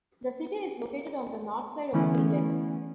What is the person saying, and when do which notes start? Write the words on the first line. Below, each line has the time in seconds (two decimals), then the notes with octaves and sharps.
The city is located on the north side of Green Lake.
1.93 D3 E3 A3 B3 C#4 E4